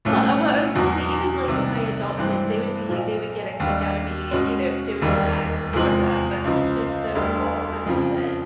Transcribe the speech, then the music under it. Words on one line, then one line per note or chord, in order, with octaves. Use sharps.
eh, well I was gonna say, even, like, my adult kids, they would be they would get a kick outta me, you know, doing that for them, that's just, so cool, I love it,
C2 A#2 F3 A3 C#4
E2 B2 F#3
C2 C3 D#3
G2 E3 G#3 C4
B1 A#2 F3
D#2 D3 G3
B2 G#3 C#4
E1 D#2 D#3 G3
E2 C3 F3 G#3
C#2 C#3 F3
E1 D2 D3 G3
F2 C#3 F3